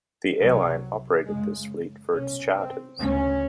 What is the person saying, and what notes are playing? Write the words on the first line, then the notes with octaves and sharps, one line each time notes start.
The airline operated this fleet for its charters.
C2 C3 F#3
F#2 C#3 G#3
C2 B2 C#4
C4
D2 C#3 C#4